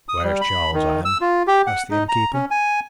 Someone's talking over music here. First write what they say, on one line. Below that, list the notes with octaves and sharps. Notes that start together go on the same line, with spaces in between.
"Where is Charles, Ann?" asked the innkeeper.
D#6
G3
B5
D#3
E6
F4
G4
F#5
D#4
A#5
C#4
G#5